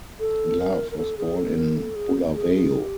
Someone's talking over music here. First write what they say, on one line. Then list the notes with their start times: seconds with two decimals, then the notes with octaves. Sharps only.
Love was born in Bulawayo.
0.20 A4
0.59 A#4
0.91 A#4
0.98 A4
1.18 G#4
1.36 A4
1.56 A#4
1.76 A4
1.96 G#4
2.35 G#4
2.54 G#4
2.80 G4